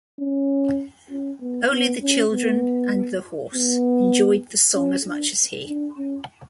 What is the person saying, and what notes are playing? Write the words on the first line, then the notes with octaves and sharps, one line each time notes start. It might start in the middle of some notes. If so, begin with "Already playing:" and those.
Only the children and the horse enjoyed the song as much as he.
C#4
C#4
B3
B3
C#4
B3
B3
C#4
D4
D4
C#4